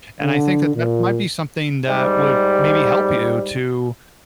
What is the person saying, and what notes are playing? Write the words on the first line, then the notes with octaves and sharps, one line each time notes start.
And I think that that might be something that would maybe help you to
D3
A#2
G#2 G3